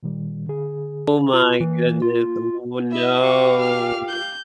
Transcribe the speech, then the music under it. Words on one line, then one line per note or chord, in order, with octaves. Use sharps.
Oh my goodness, oh no.
A#2 D#3 G3
D3 G#4
F4
E3 A#3
F4
E4 D#5 E5
F#4 G4 F5 C#6
F6
G6